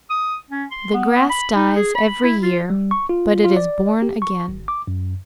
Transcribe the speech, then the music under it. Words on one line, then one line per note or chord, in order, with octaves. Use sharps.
The grass dies every year, but it is born again.
D#6
C#4
C6
B3
B5
D#4
G#4
B5
E4
F4
G3
C#6
F4
F4
D5
G4
C#6
G#1
D6
F#2